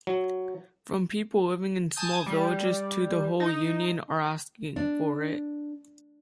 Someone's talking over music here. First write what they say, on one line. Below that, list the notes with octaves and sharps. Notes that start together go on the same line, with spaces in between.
From people living in small villages to the whole Union are asking for it.
F#3
G#5 A5 D#6 G6
G3
D#4
D4